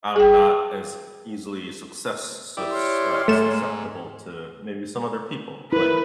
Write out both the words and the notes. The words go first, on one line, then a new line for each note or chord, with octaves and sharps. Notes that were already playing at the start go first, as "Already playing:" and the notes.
I'm not as easily success sus uh, susceptible to maybe some other people, like
G#4 G5
E4 G4 D5
C#5 C6 F6
G#2 A3 E7
E4 A#4 B4